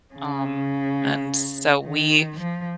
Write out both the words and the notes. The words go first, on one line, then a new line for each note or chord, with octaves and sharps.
um, and so we
C#3
D#3
F3